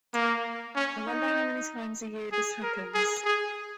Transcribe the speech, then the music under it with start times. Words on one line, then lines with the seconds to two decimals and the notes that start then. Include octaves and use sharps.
I wonder how many times a year this happens.
0.14 A#3
0.75 C#4
1.07 D#4
2.31 G#4
2.63 A#4
2.94 G#4
3.25 G#4